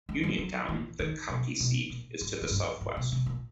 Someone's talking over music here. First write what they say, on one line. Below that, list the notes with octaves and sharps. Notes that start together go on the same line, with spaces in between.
Uniontown, the county seat, is to the southwest.
G#3
G3
F#3
E3
D#3
B2
B2
A#2
G#2
G#2
G2
G#2
B2
C3
A#2